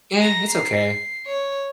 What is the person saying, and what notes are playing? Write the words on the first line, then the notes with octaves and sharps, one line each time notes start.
Yeah, it's okay.
A#5 A#6
C7
C#5